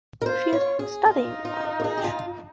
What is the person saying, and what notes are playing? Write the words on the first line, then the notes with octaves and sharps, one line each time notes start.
She has been studying the language.
A#4
F4 C5
C#5
G#4
D#4 F4
F4
A#4
G#4
G4
F4